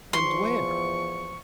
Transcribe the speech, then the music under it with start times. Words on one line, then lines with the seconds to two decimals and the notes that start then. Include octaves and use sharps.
And where?
0.13 E2 F3 C6 C#6